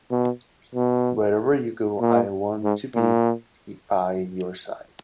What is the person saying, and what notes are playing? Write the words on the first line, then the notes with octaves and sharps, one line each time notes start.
Wherever you go, I want to be by your side.
B2
B2
A#2
G#2
A#2